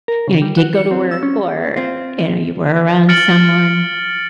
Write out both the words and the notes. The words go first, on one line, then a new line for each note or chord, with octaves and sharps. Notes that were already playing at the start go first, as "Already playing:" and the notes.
you know, you did go to work or, you know, you were around someone?
A#4
C#3
G3
F#4
C#7
C4
E6
C#4
C4 F4
F6 A6 C#7 D7 F#7